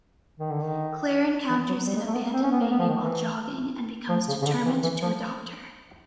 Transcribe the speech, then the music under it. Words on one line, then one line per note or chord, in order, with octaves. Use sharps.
Claire encounters an abandoned baby while jogging and becomes determined to adopt her.
D#3
D3
D#3
E3
F#3
G3
G#3
A3
B3
C4
C#4
B3
A#3
B3
F3
D#3
E3
F3
C#3
C#3
D3
E3
E3
F3